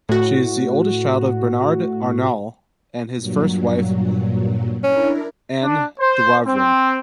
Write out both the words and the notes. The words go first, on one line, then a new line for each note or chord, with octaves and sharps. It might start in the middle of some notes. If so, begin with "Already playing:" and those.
She is the oldest child of Bernard Arnault and his first wife, Anne Dewavrin.
A2 F#4
G2 A#2 F#3
C#4 D4 E4 A#4
D4
C5
C4